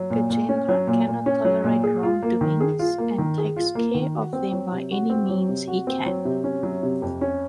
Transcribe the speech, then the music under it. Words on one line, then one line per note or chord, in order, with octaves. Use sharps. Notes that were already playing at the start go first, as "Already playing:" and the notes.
Gajendra cannot tolerate wrongdoings and takes care of them by any means he can.
Already playing: F#3
A#2
A#2
C#4
F#3
A#2
A#2
C#4
F#3
A#2
G#4
F4
A#3
D#3
G#4
F4
A#3
D#3
G#4
F4
A#3
D#3
F#4
C4
F#3
C3
F#4
C4
F#3
C3
F#4
C4
F#3
C3
C#4
F#3
C3
F2
C#4